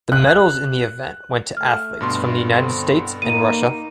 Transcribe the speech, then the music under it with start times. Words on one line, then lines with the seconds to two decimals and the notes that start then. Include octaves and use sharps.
The medals in the event went to athletes from the United States, and Russia.
0.12 F#6
1.57 A3 F6
2.01 G2 B2 C6
2.47 D3 C4
3.22 A#3 D#4 D#7